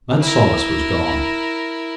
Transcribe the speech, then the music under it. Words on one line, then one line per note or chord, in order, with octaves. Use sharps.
That solace was gone.
E4 A#4